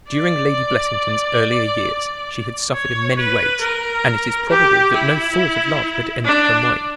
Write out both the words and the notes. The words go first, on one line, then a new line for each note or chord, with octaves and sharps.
During Lady Blessington's earlier years she had suffered in many ways, and it is probable that no thought of love had entered her mind.
D5
C#5
B4
A#4
G4
E4
D4